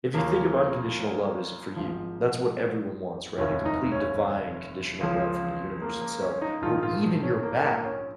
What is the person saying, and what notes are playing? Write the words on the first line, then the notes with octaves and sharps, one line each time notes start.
if you think of unconditional love is for you, that's what everyone wants, right? A complete, divine, conditional love from the universe itself, for even your bad.
D#2 C#3 F3 A#3
G#1 G#2 F3
F1 D#2 D#3 C#4
D#4
C#4
C#2 C#3 F3
A#3
A#3
C#4
D#4
A#1 G#2 D#3 F4
F4
C#4
A#3
A#3
C#4